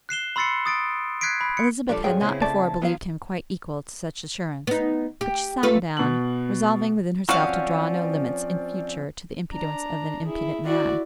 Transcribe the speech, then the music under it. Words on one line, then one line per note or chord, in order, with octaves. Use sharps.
Elizabeth had not before believed him quite equal to such assurance; but she sat down, resolving within herself to draw no limits in future to the impudence of an impudent man.
F#6 C7 E7 G7
B5 C6 E6 A6 C7 C#7
D#6 A6 D7
F#6 G#6 B6 C7 D7
B5
C#7
F3 G3 D4 A4 D5
D2 G2 C#3 C4 G#4 C#5 G5
C#3 B3 C4 E4
D3 A3 D5 A5
F3 F#3 B3 F4 F5
B3 D#4
G4
A3 F4 B4
B2 F#7
F3 C4 C#4 F#4 D5 F5
D4 A#5
E4 G#4
E4 F#4 D5